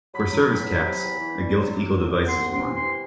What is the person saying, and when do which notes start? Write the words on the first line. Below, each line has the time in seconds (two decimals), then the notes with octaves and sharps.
For service caps, a gilt eagle device is worn.
0.13 F#3 B5
0.30 F#3
0.47 E2
0.66 F#3
0.84 C3
1.02 E2
1.19 E3
1.37 G3
1.55 F#3
1.73 C3
1.90 C2
2.08 C2
2.26 B3 C6
2.44 C3
2.50 C6
2.61 E3
2.74 C6
2.80 C3